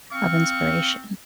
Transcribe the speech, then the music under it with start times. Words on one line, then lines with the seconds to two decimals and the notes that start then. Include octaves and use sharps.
of inspiration.
0.12 C4 F5 C#6